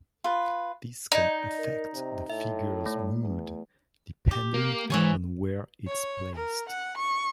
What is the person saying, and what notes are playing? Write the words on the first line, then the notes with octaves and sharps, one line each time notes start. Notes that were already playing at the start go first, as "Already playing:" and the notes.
This can affect the figure's mood, depending on where it's placed.
F4 B4
D#4 D5 D#5
A#4
C3
A2 E5
A3
E2
G4
A#3
D#2 G#2 E3 C#5 G#5
C#5
A#4
F#5
C#6